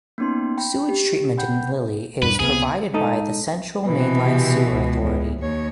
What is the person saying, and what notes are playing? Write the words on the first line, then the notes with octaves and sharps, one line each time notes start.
Sewage treatment in Lilly is provided by the Central Mainline Sewer Authority.
A#3 B3 C#4 D#4 C6
G5 B5
G4
F#5 G5 B5 G6
E2 G2 B4
C#2 C3 B3 G#4
G#2 D#4 A4
B2 E3 B4
C3
C#2
E2
D#2 C#5